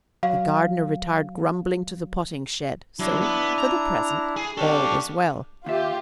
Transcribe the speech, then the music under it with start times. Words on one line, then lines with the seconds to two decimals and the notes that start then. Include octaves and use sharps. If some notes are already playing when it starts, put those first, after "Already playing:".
The gardener retired grumbling to the potting shed, so, for the present, all was well.
0.23 F#3 F5
2.99 F#3 D4 E4
3.22 B3
3.58 A#5
4.36 G#4
4.57 D4 G4 A4 F5 C#6
5.66 D#2 F4 G4 E5